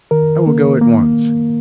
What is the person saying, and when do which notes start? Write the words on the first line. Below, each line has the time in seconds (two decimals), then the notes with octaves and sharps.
I will go at once.
0.11 D#3 A#4
0.47 A#3
0.81 A#3